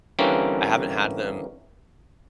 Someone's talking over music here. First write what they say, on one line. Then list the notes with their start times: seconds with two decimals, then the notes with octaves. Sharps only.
I haven't had them
0.19 D3 E3 G3 A#3 C4 C#4